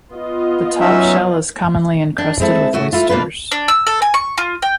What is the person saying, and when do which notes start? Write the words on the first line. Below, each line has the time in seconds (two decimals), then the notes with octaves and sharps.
The top shell is commonly encrusted with oysters.
0.12 B3 F4 D#5
0.80 F#3 C#4 D#4 E5
2.18 D4
2.40 G#3 C4 E4 A4
2.73 A2 A3 F#4
2.93 A3 E4 F4
3.09 B2 A#3 D4 F4 B4
3.51 D4
3.68 E6
3.87 A4
4.02 G#5
4.14 C#6
4.38 F4
4.62 G5